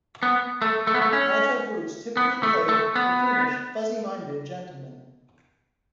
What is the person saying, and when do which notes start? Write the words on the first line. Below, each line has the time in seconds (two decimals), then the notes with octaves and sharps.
Nigel Bruce typically played buffoonish, fuzzy-minded gentlemen.
0.23 B3
0.62 A3
0.87 A3
0.94 B3
1.02 A3
1.13 C#4
2.17 B3
2.43 A3
2.69 A3
2.96 B3